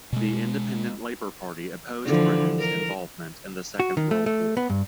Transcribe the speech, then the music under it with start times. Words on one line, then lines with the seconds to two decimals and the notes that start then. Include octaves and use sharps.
The Independent Labour Party opposed Britain's involvement in the Second World War.
0.13 B2 G#3
2.05 D3 E3 F3
2.59 A#4
3.80 F#4
3.97 D#3
4.11 A3
4.26 A3
4.57 B3
4.70 G2